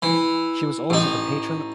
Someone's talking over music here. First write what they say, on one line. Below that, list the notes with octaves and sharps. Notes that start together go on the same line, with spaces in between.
She was also the patron of the Women's Institute of Negeri Sembilan.
E3
A1 D#4